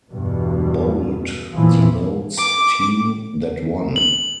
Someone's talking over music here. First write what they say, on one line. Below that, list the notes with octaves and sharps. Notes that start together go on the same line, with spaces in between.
Bold denotes team that won.
E2 G2 B2
A#2 C#3 E3 F3
D6
F#7